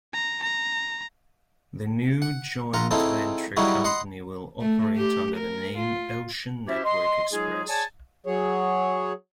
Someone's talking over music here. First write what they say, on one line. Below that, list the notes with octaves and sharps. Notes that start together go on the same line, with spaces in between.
The new joint venture company will operate under the name "Ocean Network Express".
A#5
A#5
F#5
A#1 F4 F#5 A#5
C#3 C4 D#4 E4 A4
C#3 F#3 G3 D#4 E4 F#4
D#5 F#5 B5 C6
A3
G4
A#4
F4
C#4 E4 F#4 G4 C5 E5
D#5 C6
F#3 G#3 D#4 F4 G#4
G#4 C#5 D5 G#5 A5
F#3 G#4 C#5